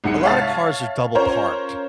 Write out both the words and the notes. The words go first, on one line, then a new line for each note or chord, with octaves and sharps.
A lotta cars are double-parked.
C2 G#2 F#5 C#7
C#5 E5 F5 A5 A6
C#4 F4 A#4 C5 C#5 A#5